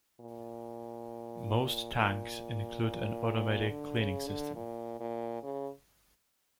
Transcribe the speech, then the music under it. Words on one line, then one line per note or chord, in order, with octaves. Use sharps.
Most tanks include an automatic cleaning system.
A#2
A#2
D3
C#3
D3
A#2
A#2
C#3